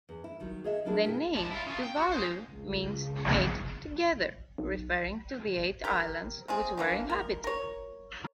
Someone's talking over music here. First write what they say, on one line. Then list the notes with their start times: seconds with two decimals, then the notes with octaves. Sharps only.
The name "Tuvalu" means "eight together", referring to the eight islands which were inhabited.
0.09 E2
0.24 E4
0.40 D#2 D#3 F#3 G3
0.64 G#4 C#5 D#5 E5
0.85 F#3 A#3 D4 E4 G#4
1.04 B2 G#3 F4 G#4 B4 G5
1.35 G#2 A5
1.51 E4 F4
1.66 C#3 F4
1.83 G5
1.97 F#4
2.12 G#4 C5
2.47 C#2
4.58 B1
5.84 G4 A#4
6.48 C3 C4 G#4
6.77 D3 E3 A#3
7.10 A#4
7.44 A#4 C#5